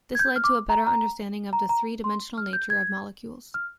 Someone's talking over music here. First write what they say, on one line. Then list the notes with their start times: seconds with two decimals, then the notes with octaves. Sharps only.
This led to a better understanding of the three-dimensional nature of molecules.
0.15 G#6
0.19 G6
0.36 F6
0.44 D6
0.70 A#5
0.87 A#5
1.53 A#5
1.69 A#5
2.04 C6
2.38 F6
2.53 G6
2.70 G#6
3.54 F6